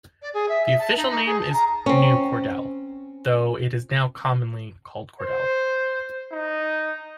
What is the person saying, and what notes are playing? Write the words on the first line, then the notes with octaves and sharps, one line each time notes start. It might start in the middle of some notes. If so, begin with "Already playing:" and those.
The official name is New Cordell, though it is now commonly called Cordell.
D5
G#4
E5
E5
A5
D#4
D#4
G#4
A5
A#5
C4 C#4
C5
D#4